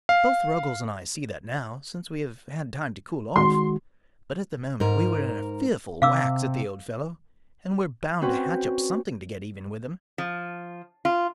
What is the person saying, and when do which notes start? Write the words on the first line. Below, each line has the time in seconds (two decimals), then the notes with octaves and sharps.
Both Ruggles and I see that now, since we have had time to cool off, but at the moment we were in a fearful wax at the Old Fellow and were bound to hatch up something to get even with him.
0.09 F5
3.36 D#3 G#3 F#4 C6
4.80 G#2 A#4
6.02 C3 F5 D6 E6
8.21 C4 C#4 F#4 B4
10.18 F3
11.05 F4